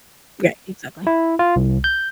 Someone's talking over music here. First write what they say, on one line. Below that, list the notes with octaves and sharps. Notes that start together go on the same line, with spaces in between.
Right, exactly.
E4
F4
C2
G6